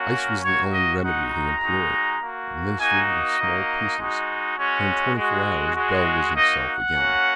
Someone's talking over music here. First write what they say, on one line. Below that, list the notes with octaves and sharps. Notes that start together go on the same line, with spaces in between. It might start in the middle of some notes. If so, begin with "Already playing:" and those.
Ice was the only remedy he employed, administered in small pieces, and in twenty-four hours Bell was himself again.
Already playing: A#3 C#4 F#4
A#4
A#3 F#4 C#5
D#5
G#3 D#4 F#4 F#5
A#5
G#3 D#4 F#4
A#3 F#4
A#3 D#4 F#4 G#5
D#5
A#3 D#4 F#4
G#3 D#4 F#4
G#3 C#4 F#4 C#5
G#3 F#4
G#3 F#4
A#3 D#4 F#4 D#5
F#5
A#3 C#4 F#4